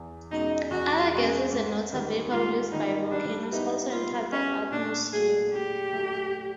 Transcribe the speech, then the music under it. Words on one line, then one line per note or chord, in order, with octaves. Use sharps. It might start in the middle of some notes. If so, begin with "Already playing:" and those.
Other gases and water vapor released by volcanoes also entered the atmosphere.
Already playing: E2
B2 G#3 C#4 D#4
E2 F#4
B2 G#3 C#4
G#2
D#3 G3
G#2 F4
D#3 G3 D#4
G3 D4
B3 D#4 E4 G4
G3 F4
B3 C#4 E4 G4
A#2 D4
F#3 A3 G#4
A#2 G4
F#3 A3